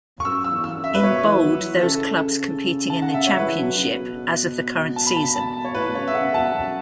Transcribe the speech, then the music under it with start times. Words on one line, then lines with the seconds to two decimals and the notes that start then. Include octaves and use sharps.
In bold those clubs competing in the Championship as of the current season.
0.20 C#6
0.25 F#2 E6
0.44 E6
0.52 E2
0.64 E6
0.77 F#2
0.84 E5
0.94 B4
1.03 B2 C#5
1.23 E3
1.43 F#3
1.62 E3
1.82 C#3 A4
2.90 A5
3.02 F#5
3.14 E5
3.27 C#5
3.32 F#3
3.39 E3 B4
3.59 F#3
3.78 C#3
3.98 B2
4.96 A5
5.07 B5
5.17 A5
5.36 A5
5.65 C#5
5.75 A2 B4
5.89 B2
5.95 C#3 C#5
6.08 E5
6.14 C#3 F#5
6.34 B2 A5
6.54 F#2